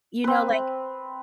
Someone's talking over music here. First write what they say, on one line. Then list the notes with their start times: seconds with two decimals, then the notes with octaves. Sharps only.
You know, like
0.24 C4 B4